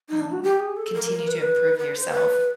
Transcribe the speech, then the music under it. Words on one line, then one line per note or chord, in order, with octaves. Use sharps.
um, continue to improve yourself.
D#4
D4
F#4
G4
G#4
A4
A#4
A#4
B4
A#4
B4
B4
C5
B4